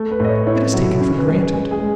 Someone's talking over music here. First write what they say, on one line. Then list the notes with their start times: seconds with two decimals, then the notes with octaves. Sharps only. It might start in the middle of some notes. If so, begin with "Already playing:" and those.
It is taken for granted.
Already playing: A3
0.11 B4
0.20 A2 D#5
0.29 C#5
0.47 E4 C#5
0.73 F#3
1.00 C#4
1.18 B4
1.27 G#3
1.53 G#3 G#4
1.71 G#4
1.80 G#3